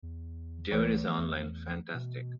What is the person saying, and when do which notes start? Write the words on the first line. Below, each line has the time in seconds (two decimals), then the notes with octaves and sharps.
Devon is online, fantastic.
0.03 E2
0.72 C#2 E3 A3 B4
1.18 E2
1.94 B2